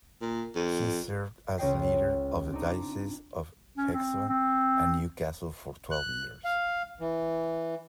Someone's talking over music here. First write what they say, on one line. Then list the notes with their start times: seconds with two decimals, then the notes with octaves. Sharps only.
He served as leader of the Diocese of Hexham and Newcastle for twelve years.
0.21 A#2
0.56 F2
1.58 C#2 F4 C#5 D#5 G5 C7
2.51 C4 D4 D#4
3.77 C#4
3.93 C4
4.29 C4
5.91 F#6
6.45 F5
7.00 E3